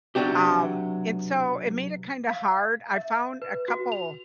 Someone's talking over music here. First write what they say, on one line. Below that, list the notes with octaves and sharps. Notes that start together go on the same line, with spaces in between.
um, and so it made it kinda hard. I found a couple
B1 C3 F#3 D4 F#4 G4
F5
E5
B4
F#4
F7